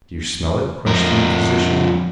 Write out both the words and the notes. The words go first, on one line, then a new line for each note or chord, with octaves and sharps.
"Do you smell it?" questioned the physician.
F2 A#4